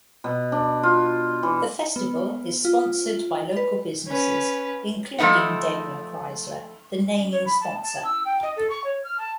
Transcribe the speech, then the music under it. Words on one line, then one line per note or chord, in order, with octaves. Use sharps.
The festival is sponsored by local businesses, including DaimlerChrysler, the naming sponsor.
B2
D4
F4
E3
B3
F4
B4
C#4 B4
F3 A3 D#4 E4 F#5
C#5
B5
A5
A5
E6
G5
D#5
A4
C#6
C#5
F6
A5